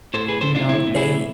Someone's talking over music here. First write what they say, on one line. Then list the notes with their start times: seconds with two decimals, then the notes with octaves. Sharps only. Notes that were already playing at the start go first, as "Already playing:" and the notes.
You know, they
0.14 A2 A4 C5
0.28 B1 G#4 B4
0.41 A4 C5
0.51 A2 D4 F4
0.68 B1 C4 E4
0.87 A2
0.96 E4 G#4
1.05 B1